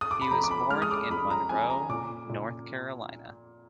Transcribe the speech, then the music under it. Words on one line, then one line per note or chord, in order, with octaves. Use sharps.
He was born in Monroe, North Carolina.
D#6
D6
B5
F2 A#5
D6
B5
G#3 F6
D#6
D6
F2 B5
A#5
F2 G#5
A#5
A#2 D6
A#2